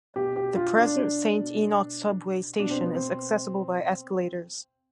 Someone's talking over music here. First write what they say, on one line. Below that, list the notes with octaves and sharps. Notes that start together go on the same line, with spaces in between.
The present Saint Enoch subway station is accessible by escalators.
B2 G4
G4
F4
D4
B2
B2 D4
C4
B3
C4